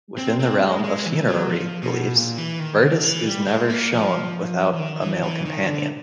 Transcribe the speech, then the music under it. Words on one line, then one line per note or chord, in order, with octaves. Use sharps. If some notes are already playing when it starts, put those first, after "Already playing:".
Within the realm of funerary reliefs Virtus is never shown without a male companion.
C4
C4
G#3
G#3
E3
F#3
F3
B2
A#2
E3
D#3
D3
E3
G3
G#3
A#3
F3
E3
D#3
E3
E3
D#3
D3